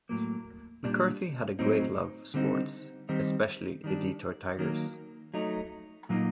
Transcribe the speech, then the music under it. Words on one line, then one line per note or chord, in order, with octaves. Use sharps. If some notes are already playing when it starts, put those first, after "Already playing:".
McCarthy had a great love for sports, especially the Detroit Tigers.
A2 F#3 A#3
A#2 G3 D4
A2 F#3 C4 D#4
D3 G3 C4 D#4
D#3 G3 C4 D#4
D#3 G3 D4
D#3 F#3 A#3
F#3 A3 D#4
A#2 F#3 A#3 D#4